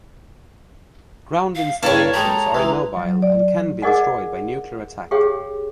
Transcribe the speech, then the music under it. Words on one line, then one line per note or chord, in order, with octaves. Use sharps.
Ground installations are immobile, and can be destroyed by nuclear attack.
F5
G2 A#3 E4 A4 C#5
G#3 G4 A#5
E3 G#3
F#3
D5
G#4 A#4 D5 D#5 F#5 G#5
G4 G#4 C#5 F5 G5